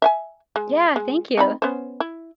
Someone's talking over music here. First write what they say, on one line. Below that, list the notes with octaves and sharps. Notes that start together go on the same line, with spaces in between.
Yeah, thank you.
E5 F5 G#5
G#3
G#3
C4 D#4 B5
B3 C#4 C5
E4